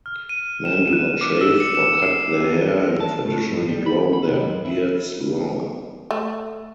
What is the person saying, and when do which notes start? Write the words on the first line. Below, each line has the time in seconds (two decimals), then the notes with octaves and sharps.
Men do not shave or cut their hair and traditionally grow their beards long.
0.06 F6
0.29 D#7
0.65 E7
0.93 F#6
1.21 D6
1.41 E6
1.60 C#7
1.75 E7
2.02 C7
2.87 A#4
3.00 A5
3.25 A2
3.51 G2
3.68 G3
3.86 B5
4.13 B5
4.28 C3
4.43 F#2
4.65 E4
6.11 A3